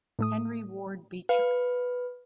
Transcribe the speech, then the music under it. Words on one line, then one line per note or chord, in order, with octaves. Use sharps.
Henry Ward Beecher.
A2 A3 D#6
B4 F5